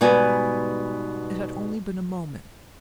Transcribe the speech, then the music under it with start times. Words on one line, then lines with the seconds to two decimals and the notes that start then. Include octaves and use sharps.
It had only been a moment.
0.01 G#2 B2 G3 G#5